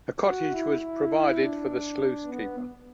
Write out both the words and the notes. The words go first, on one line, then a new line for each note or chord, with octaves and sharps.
A cottage was provided for the sluice keeper.
F#4
E4
E4
D4
B3